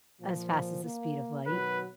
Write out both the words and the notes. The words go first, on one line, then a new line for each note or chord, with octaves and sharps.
as fast as the speed of light?
A#2 F3
A#3
B2 D#3 F#3 B4